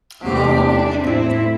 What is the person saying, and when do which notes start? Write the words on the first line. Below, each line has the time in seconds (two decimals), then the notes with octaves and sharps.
Oh, my goodness.
0.22 E2 C3 A3 C4 G4
0.63 D4
1.03 A2 A3 C4 E4